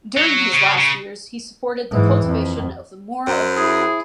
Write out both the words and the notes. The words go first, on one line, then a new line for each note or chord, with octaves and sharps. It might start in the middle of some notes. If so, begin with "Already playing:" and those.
During his last years he supported the cultivation of the moor of Jutland.
F#3
C#3
C#3
G#2 E3
F2
F#2 C5
E4 G#4